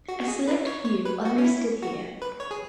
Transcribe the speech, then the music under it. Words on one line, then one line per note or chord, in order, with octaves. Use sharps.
A select few are listed here.
F#4
F#4
G#4
B4
C#5
C#5
B4
F#4
C#4
E4
F#4
B4
C#5
G#4